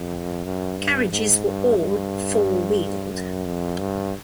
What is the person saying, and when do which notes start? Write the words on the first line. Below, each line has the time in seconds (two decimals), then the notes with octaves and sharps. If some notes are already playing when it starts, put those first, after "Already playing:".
Carriages were all four-wheeled.
Already playing: F2
0.45 F#2
0.78 G2
1.12 G#2
1.45 G2
1.78 G2
3.12 F#2
3.46 F2
3.79 G2